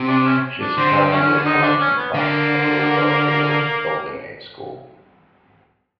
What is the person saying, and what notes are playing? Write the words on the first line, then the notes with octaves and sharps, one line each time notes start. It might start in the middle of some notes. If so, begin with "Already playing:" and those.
She is currently collecting funds that will go towards building a school.
Already playing: C3
D4
C#4
D4
D3 C4
C#4
D#4
D4
C#4
B3
D3 A#3